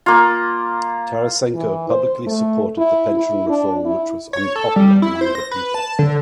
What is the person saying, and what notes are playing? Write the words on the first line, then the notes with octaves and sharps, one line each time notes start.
Tarasenko publicly supported the pension reform which was unpopular among the people.
A#3 F4
E3
C5
A3
E4
E4
D4
E4
C#5
A4
G3
E4
C5
A#6
B4
A5
D3